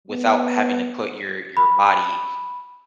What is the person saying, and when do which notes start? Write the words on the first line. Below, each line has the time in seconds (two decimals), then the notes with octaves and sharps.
without having to put your your body,
0.11 B3
1.57 B5